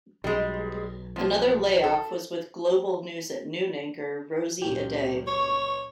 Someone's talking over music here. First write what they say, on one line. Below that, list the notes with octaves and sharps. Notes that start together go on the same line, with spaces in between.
Another layoff was with "Global News at Noon" anchor Rosey Edeh.
B1 G3 G#3
F3
A4
C#2 F#2 A#2 G4
C#5 C#6